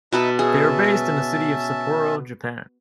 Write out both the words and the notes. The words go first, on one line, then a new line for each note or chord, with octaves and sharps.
They are based in the city of Sapporo, Japan.
B2 D#4 B4 E5 A5 B5
C#4 G#4 E5 A5